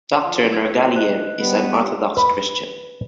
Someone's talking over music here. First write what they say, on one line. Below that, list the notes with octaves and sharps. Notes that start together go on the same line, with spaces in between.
Doctor Nurgaliyev is an Orthodox Christian.
F3
E6 G#6
B4
C5 D#5 F#6
G3 B3 B4
B4